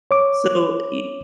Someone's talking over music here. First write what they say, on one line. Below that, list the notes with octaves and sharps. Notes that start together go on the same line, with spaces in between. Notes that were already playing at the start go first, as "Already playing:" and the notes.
So, y
C#5 D6